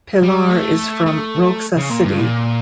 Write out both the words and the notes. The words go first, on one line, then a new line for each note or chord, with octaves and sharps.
Pilar is from Roxas City.
G3
A3
A3
C#3
A#2
G2
A#2